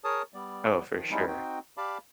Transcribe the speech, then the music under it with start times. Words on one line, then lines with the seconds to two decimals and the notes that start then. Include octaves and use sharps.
Oh, for sure.
0.04 G#4 A#4 C#5 A5 D#6
0.34 G3 B3 D5
0.92 D#3 F3
1.11 G3 G#3 B3 C#4 D#4 E4
1.27 C4 D#4 F#4 G5
1.77 G4 D5 F5 A5 B5 D6